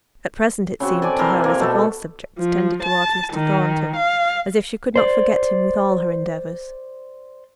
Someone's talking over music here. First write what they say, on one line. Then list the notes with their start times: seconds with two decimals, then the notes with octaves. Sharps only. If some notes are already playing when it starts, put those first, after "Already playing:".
At present it seemed to her as if all subjects tended towards Mr. Thornton; as if she could not forget him with all her endeavours.
0.80 C#3 C4 F#4
1.02 D5 G#5 A5 D6
1.18 C3 E3 A#4 C6
1.44 A#3
1.60 B2 A3 A4
2.39 F3
2.83 A5
3.33 D#3
3.96 F5
4.96 C5 D5